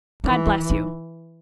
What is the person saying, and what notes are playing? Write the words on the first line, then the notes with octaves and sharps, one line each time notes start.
God bless you!'
E3 D#4
E4
D#4